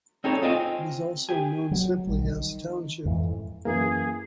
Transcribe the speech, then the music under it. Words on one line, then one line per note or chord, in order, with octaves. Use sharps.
It is also known simply as "Township".
C4 D#4 G#4 A4 C#5
C4 F4 D#5 F5 G5 G#5
G4 G#5
F#3
B1 G3
D#3
F2 G#2 E3
F#2 E3 A#3 G#4